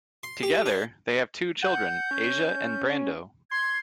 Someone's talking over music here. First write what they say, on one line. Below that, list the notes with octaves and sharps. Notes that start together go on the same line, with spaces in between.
Together, they have two children, Asia and Brando.
C6
G4
D4
F#5 G6
C#4
C6 G#6